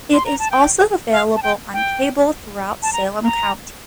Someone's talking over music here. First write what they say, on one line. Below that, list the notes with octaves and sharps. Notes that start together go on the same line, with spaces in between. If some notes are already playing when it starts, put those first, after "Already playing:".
It is also available on cable throughout Salem County.
C6
A#5
A5
G5
F5
A5
G5
G5
A5
A#5
A#5